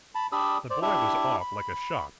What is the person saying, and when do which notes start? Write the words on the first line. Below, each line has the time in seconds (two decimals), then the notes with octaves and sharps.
The boy was off like a shot.
0.15 A5 B5
0.32 D4 G4 D5 B5 D#6 E6
0.70 C5 D5
0.82 D4 E4 G4 E5
1.41 B5